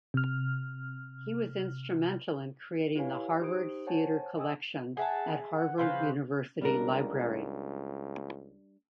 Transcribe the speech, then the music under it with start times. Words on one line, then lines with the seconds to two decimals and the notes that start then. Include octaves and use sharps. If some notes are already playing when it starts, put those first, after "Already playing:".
He was instrumental in creating the Harvard Theatre Collection at Harvard University Library.
0.14 C3 F6
2.96 E4 G4 B4 C#5 F5 G#5
3.40 D#4 G4 C5 D#6 D7
3.86 C5 C#5 F#5 G#5 A5
4.37 D#5 G5 G#5 D#6 E6
4.97 G#4 E5 F#5 A5
5.56 F#5
5.78 C#3 B4 C5 F5
6.61 C#2 G3 D4 A#4